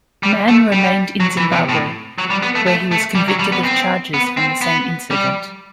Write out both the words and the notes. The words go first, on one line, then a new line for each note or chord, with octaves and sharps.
Mann remained in Zimbabwe, where he was convicted of charges from the same incident.
G3
A3
G3
F#3
E3
C3
A2
F#3
G3
B3
A3
A3
A3
G3
F#3
G3
B3
C4
B3
C4
B3
G3